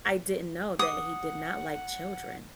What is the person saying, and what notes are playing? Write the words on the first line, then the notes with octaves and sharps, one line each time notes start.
I didn't know that he did not like children.
F#5 D#6